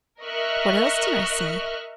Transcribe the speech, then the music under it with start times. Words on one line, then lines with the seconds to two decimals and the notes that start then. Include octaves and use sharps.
'What else did I say?
0.22 A#4 D#5 E5 C#6 F6 F#6